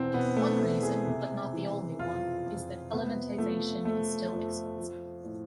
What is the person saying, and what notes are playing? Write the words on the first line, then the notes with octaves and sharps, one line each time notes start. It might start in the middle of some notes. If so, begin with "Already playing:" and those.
One reason, but not the only one, is that elementization is still expensive.
Already playing: E2 B2 C4
B2 B3
A3
E2 A3
G#4
C3
E3
F2 F4
F2
C3 B3
F3 A3
F2 A3
F2
F3
A2